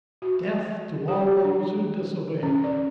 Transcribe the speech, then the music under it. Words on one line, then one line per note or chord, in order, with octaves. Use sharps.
Death to all those who disobey.'
F#4
G4
D4
C#4
D5